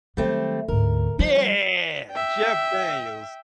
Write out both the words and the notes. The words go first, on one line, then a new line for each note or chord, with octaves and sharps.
Yeah! Jeff Daniels.
D#3 F#3 G3 A3 C4
D2 G#2 A#4
F3 G3
E5 G5